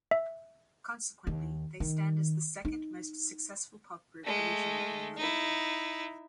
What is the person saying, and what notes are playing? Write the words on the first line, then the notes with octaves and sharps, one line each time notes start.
Consequently, they stand as the second most successful pop group originating in Liverpool.
E5
D#2 D#3
D#3
D#4
G#3 A3
D#4 E4